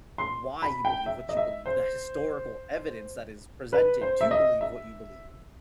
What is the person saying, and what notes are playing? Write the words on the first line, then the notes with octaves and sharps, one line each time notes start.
why you believe what you believe, the historical evidence that is presented to believe what you believe.
C6
B5
G5
E5
D#5
E5
C5
B4
C5
E5
D#5
E5